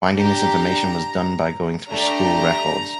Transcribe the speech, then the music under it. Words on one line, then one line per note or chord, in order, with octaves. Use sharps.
Finding this information was done by going through school records.
D4 G4 A#5
A3 D4 G4 A#5